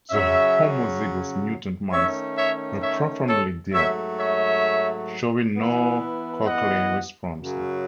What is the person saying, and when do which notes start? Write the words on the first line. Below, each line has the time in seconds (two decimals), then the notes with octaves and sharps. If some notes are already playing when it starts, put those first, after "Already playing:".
The homozygous mutant mice were profoundly deaf, showing no cochlear responses.
0.11 C#3 F#3 C#4 C#5 E5
1.92 D#3 A3 C#4 C#5 E5
2.37 C#5 E5
2.82 C#5 E5
3.28 A4 C#5
3.73 G#2 F#3 A3 C#5 E5
4.19 C#5 E5
5.55 E3 B3 E4
6.45 D#5 F#5
7.36 F#2 C#3 F#3